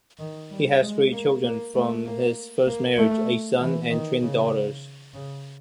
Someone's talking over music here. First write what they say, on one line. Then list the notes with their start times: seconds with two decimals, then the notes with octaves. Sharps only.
He has three children from his first marriage-a son and twin daughters.
0.19 D#3
0.51 G3
0.81 G#3
1.12 A#3
1.43 A#3
1.74 A3
2.05 A#3
2.66 A#3
2.97 A3
3.59 E3
3.90 D#3
4.21 C#3
5.14 C#3